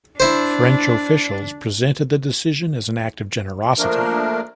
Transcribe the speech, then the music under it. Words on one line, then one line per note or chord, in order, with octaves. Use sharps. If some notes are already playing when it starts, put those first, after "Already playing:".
French officials presented the decision as an act of generosity.
D4 E4 C5
F3 A3 A#3 D4 A#4